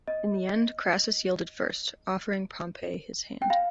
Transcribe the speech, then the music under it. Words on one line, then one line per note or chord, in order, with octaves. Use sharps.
In the end Crassus yielded first, offering Pompey his hand.
D#5
G5
F5